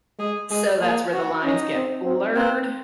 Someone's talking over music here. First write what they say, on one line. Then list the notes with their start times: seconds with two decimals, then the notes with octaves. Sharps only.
so that's where the lines get blurred.
0.19 G#3 G#4
0.50 G#3 G#4
0.81 A#3 G#4
1.13 F#4
1.43 C#4 D#4
1.75 C4
2.05 C4
2.36 A#3 C4